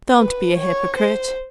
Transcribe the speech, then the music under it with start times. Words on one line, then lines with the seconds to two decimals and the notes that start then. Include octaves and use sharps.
'Don't be a hypocrite.
0.18 B4
0.57 C#5
0.97 C5